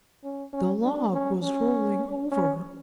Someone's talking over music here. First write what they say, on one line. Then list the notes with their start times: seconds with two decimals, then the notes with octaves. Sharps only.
The log was rolling over!
0.24 C#4
0.53 C#4
0.83 D4
1.13 C#4
1.42 C#4
2.31 C#4